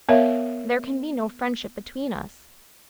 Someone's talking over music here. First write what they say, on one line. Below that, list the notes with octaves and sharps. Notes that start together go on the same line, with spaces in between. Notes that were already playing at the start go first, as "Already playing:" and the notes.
There can be no friendship between us.
B3 A#4 C#5 E5 F5